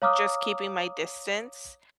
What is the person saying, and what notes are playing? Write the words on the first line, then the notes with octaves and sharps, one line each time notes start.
just keeping my distance.
C#5 F5 A#5 D6 D#6 F6